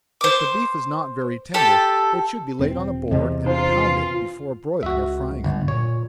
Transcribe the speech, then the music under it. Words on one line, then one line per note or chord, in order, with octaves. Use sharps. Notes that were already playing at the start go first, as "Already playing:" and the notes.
If the beef is not very tender, it should be laid on a board and pounded, before broiling or frying it.
C5 D6
G4 A4 A5
E1 C4
E2 C3 D#5
D4 F4 C5 A#5
B4 G#5
C#2 F#4 E5
G1
A#2 C#5